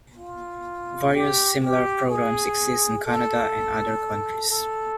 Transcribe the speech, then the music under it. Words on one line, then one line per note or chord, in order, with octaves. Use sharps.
Various, similar programs exist in Canada and other countries.
F4
G4
G4
G#4
A4
A4